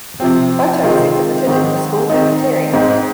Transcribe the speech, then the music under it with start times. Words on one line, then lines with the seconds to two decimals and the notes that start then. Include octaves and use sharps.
A photo is exhibited in the school cafeteria.
0.20 C3 F3 C4
0.83 C3 D#3 G#3 C4 F4
1.47 G#2 D#3 C4
2.10 D#3 C4 D#4
2.74 G#2 G#3 C4 D#4